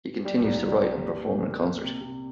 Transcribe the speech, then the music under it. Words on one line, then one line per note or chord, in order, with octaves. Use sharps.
He continues to write and perform in concert.
G3
C2
G3
G3
A#2
A#2
A#3
A#2
C3
C3